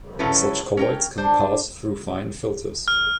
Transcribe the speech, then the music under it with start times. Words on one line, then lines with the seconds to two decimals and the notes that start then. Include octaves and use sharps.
Such colloids can pass through fine filters.
0.19 C#3 F#3 C#4 E4 A4 B4
0.77 C#4 A#4 G5
1.18 D4 C5
2.88 F6